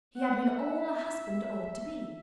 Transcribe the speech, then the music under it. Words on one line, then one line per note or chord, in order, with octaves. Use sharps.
He had been all a husband ought to be.
F#5
E5